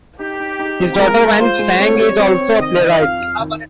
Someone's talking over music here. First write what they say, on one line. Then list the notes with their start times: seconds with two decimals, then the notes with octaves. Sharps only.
His daughter Wan Fang is also a playwright.
0.19 D#4 G4
0.40 D#4
0.59 D#4
0.80 C4
0.99 G#3 A#4
1.19 G#3
1.39 F4 C5
1.59 G#3
1.79 C4 C#5
2.00 G3
2.19 C4
2.40 C4
2.59 D#3 D#5
2.80 D#3
2.99 F2 F5
3.20 F2
3.39 D#3